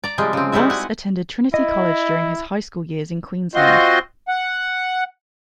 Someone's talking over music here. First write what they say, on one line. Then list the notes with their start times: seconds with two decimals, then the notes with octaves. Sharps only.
Voss attended Trinity College during his high school years in Queensland.
0.04 D5 A#5
0.18 C3 F3 G3 G#3
0.33 C#3 C4
0.52 G3 G#3 D#4 E4 F#4
0.70 F#5 G#5
1.54 E4 D#5
3.55 C4 F4 F#4 C5 D#5 C6
4.28 F#5